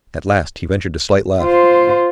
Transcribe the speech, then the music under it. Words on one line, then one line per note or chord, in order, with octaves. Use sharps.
At last he ventured a slight laugh.
F4 C5